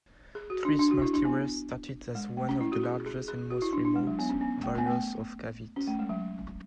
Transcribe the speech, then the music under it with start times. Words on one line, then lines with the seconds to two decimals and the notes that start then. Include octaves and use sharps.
Trece Martires started as one of the largest and most remote barrios of Cavite.
0.35 G#4
0.50 F#4
0.65 D4
0.79 D4
0.91 F#4
1.02 E4
1.13 D4
1.25 B3
2.15 G#3
2.37 A3
2.49 C#4
2.61 E4
2.72 F#4
2.83 G#4
3.06 G#4
3.28 G#4
3.50 F#4
3.62 E4
3.73 D4
3.85 D4
3.96 G#3
4.07 F#3
4.19 B3
4.29 C#4
4.41 B3
4.64 A3
4.78 B3
4.86 A3
5.76 C#4
5.87 A3
5.99 G#3
6.09 F#3